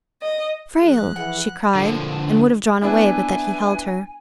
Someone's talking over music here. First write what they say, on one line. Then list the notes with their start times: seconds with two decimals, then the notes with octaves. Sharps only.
"Frale!" she cried, and would have drawn away but that he held her.
0.22 D#5
0.80 F3 G#4 F#6
1.16 E3 F#5
1.75 D3 F3
2.82 B3 D4 E4 G#5